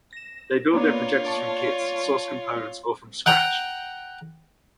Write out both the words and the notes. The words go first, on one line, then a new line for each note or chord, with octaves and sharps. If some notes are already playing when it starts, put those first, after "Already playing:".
They build their projectors from kits, sourced components, or from scratch.
A#6 E7
A#3 B3 D4 F4 C#5
D5 A5 C#6
F#5 G5 A#5